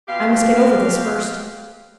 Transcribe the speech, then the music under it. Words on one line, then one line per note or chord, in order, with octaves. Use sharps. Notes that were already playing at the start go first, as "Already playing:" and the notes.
I must get over this first.
B2 G4 F5